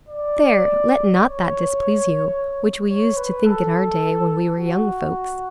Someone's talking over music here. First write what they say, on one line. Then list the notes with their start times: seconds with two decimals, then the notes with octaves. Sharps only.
There, let not that displease you which we used to think in our day, when we were young folks.
0.08 D5
1.21 C#5
2.90 C#5
3.17 B4
3.46 A4
4.59 F#4